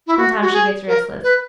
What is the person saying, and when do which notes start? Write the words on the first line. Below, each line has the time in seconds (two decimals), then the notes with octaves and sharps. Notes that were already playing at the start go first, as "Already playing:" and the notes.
Sometimes she gets restless.
0.07 E4
0.18 F#4
0.42 F#4
0.53 G#4
0.88 A#4
1.23 B4